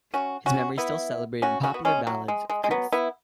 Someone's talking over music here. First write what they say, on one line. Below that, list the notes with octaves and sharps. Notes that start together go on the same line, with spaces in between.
His memory is still celebrated in popular ballads in Greece.
C#4 F#4
C#4 F#4
B3 E4
C#4 F#4
C#4 F#4
B3
G#3 C#4
F#3
G#3
G#3
G#3
F#3 B3
B3 E4